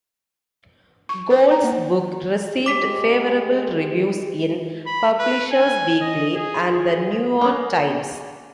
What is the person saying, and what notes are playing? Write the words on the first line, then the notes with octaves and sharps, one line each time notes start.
Gould's book received favorable reviews in "Publishers Weekly" and "The New York Times".
C#6
C5
A#5
A#3
G#3 G4 D6 B6
B5
B4
G#5
D#5
G#4
G#4
A#3 C#4